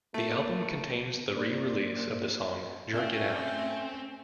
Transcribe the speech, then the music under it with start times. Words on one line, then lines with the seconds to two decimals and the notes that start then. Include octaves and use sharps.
The album contains the re-release of the song Jerk It Out.
0.14 A3 A#3
1.36 A#3 C5 D5
2.94 A3 C4 C#4 D5 E5 F5